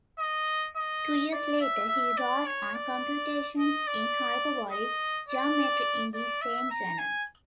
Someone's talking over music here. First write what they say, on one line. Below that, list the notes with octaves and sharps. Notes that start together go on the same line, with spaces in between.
Two years later he wrote on computations in hyperbolic geometry in the same journal.
D#5
D#5
D5
E5
E5
D5
C#5
D5
D#5
D5
D#5
D5
D5
E5
A#5
G#5